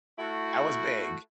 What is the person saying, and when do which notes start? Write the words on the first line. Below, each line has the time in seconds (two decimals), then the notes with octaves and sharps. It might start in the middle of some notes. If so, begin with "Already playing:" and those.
That was big.
0.19 A3 E4 F#4